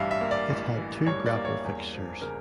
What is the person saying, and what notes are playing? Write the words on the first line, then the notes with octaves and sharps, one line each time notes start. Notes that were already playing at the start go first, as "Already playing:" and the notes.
It had two grapple fixtures.
Already playing: A1 G2 E3 E5 F5
E5
A#3
D5
A1
E3
G2 C#5
D5
A#3
C#5
E2
F3
C#3 A#4